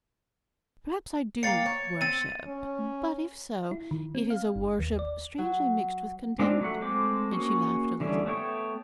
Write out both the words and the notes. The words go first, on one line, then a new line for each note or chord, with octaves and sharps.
Perhaps I do worship; but if so, it is a worship strangely mixed with contempt.' And she laughed a little.
A#3 F5 G5 A6 C#7
C#5
C4 A6 D#7
C#4
E4
D#3
C4
F5
G1
D#2
D5
F#3 F#4
G#3 C4 D4 D#4 F4
F#3 A3 F#5
G#3 A3 C4 G5 D6
A#3 C#4 F#4 G#4
D3 E3 G3 B3 C#4
A3 B3 C#5 G5 C#6